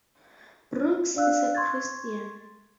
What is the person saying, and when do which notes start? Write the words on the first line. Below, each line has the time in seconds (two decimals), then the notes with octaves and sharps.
Brooks is a Christian.
1.15 D4 D5 F5 E6 F#6
1.55 C6 C#6 G#6 A6